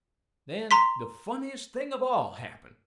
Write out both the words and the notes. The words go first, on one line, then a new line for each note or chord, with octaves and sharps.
Then the funniest thing of all happened.
A#5 C6 B6